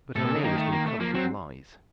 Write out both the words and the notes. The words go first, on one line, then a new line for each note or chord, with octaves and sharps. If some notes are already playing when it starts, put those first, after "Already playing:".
"But her name has been covered with lies."
A2 A4
A#2
C#3
D#3 A#3
A3
A#3
A3
F3 A#3
F#3 C4